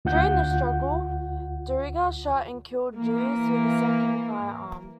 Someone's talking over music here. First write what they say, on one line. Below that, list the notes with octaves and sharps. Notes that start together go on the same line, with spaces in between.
During the struggle Drega shot and killed Joos with a second firearm.
D2 F4 F#5 G6
E3 A#3